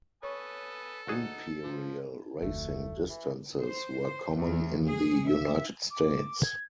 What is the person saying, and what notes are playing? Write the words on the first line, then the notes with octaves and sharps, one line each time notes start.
Imperial racing distances were common in the United States.
A4 B4 C#5 G#5 C#6 D#6
D2 D#4 F#4 G#4 F#5
F3
F1 D2 A3
E3
C5
E2
G#4
E5
D6
G#6